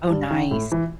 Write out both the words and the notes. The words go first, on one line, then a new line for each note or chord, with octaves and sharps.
Oh, nice.
G2
D#3
A2
E3